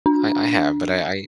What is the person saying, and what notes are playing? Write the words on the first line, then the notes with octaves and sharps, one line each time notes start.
I I have, but I
D4